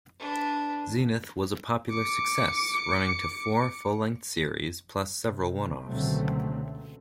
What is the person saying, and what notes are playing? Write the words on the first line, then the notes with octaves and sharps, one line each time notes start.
"Zenith" was a popular success, running to four full-length series plus several one-offs.
D4 B4
D6 C#7
C3
C#2 B2 D3 F#3 A3 C4